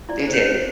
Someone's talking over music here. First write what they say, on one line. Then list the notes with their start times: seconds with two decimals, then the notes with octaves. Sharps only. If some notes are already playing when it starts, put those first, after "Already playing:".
They did.
0.09 E4 D5
0.27 C5
0.33 C#5
0.45 C5